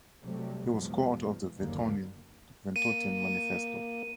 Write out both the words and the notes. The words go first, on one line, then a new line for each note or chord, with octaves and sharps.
He was co-author of the Ventotene Manifesto.
C3 F#3 G3 A3
E2 B2 F3 F#3 G#3
F#1 D#2 D3 F#3 A#3
A#3 D#7